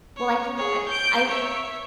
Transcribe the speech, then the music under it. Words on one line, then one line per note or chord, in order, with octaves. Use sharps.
Well, I think that that I
C#5
G#4 C#5
G6 D7
C#5 E5